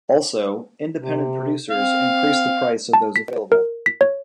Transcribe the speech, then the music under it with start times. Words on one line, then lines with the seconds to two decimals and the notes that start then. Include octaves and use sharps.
Also, independent producers increased the price of those available.
0.98 C3
1.70 C4 F5
2.93 A5
3.16 B6
3.52 A#4
3.86 B6
4.01 C#5